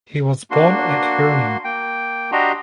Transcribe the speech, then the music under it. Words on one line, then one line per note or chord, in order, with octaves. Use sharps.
He was born at Herning.
A#3 D4 F#4 C6
A#3 G5
D4 F#4 G4 D#5 A#5 C6